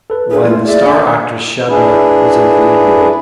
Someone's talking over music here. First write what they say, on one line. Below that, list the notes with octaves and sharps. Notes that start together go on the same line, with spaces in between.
While the star actress Shabnam was in the lead role.
A4 B4
D4 G#4 B4
A3 A#3 E4 F4
G#4 D5 E5
D4 E5 G#5
D4 E4 G#4 B4